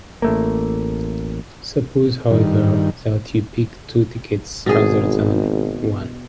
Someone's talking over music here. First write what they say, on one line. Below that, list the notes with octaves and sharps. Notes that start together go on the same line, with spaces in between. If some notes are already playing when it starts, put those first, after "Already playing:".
Suppose, however, that you pick "two" tickets rather than "one".
A1 A3 A#3
G2 D#3
G#1 B2 G#4